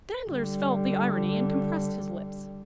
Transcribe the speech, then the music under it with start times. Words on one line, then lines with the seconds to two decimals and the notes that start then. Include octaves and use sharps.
Danglars felt the irony and compressed his lips.
0.29 D3 G3